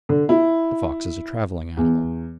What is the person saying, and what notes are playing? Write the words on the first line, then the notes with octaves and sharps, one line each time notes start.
The fox is a travelling animal.
D3
E4
E2